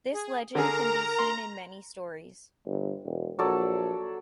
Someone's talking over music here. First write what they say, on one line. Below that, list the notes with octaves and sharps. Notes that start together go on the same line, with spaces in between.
This legend can be seen in many stories.
G#4
D3 G#4 A#4 A#5
C6
G1
E1
A#1 F#3 A4 D5